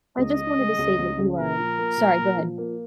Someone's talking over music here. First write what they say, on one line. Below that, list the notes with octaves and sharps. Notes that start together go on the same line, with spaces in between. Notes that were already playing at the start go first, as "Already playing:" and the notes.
I just wanted to say that you are Sorry, go ahead.
C#2 D#5
C#3
G#3
C#2
C#2
C#3
A#2 A#4
F3
A#3
A#2
A#2
F3
A#3